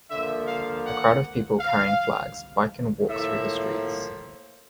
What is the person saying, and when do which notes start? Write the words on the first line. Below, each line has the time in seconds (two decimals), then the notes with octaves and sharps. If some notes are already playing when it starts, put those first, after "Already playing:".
A crowd of people carrying flags bike and walk through the streets.
0.10 D3 F3 A#3 E5
0.48 F5
0.86 F#5
1.60 F5
3.09 A2 F3 A#3 E5